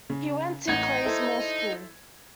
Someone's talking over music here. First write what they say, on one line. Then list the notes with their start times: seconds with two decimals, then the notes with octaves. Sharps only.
He went to Clayesmore School.
0.10 C#3
0.68 A1 D#4 F#5 G#6
1.04 E4 A4 C5